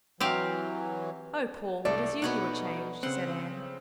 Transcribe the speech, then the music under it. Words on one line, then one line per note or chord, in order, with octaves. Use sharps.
"Oh, Paul, it is you who are changed," said Anne.
E3 F#3 C4 G4 F5
C2 A3 D5
B2 B3 D#4 C#5 F#5
C#3 C4 F#5 C6